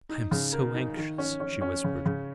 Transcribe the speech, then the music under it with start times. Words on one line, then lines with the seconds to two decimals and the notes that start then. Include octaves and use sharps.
"I am so anxious," she whispered.
0.09 D#4
0.31 C#3
0.53 A#4
0.74 D#4
0.97 D#3
1.18 C#4
1.40 C#4
1.61 C#4
1.84 C#3
2.06 C#3